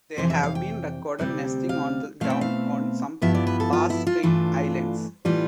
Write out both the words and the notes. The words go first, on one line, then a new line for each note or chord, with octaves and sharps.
They have been recorded nesting on the ground on some Bass Strait Islands.
F2 C3 E3 C5
E5
F5
G5
D2 C3 G3 C4
F5
B2 A3 C4 E4 F5
G5
F5
G2 F3 B3 E4 E5
D5
B4
A4
F4
E4
F4
G2 E3 A3 D4 F4
A2 E3 G3 B3 F4